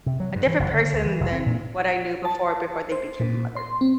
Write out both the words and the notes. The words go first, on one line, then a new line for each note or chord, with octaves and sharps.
a different person than what I knew before, before they became a mother.
C3
F#3
G2
E3
F#1
D3
D2
E3
F1
C4
A#2
A5
C5
A#2
C6
C4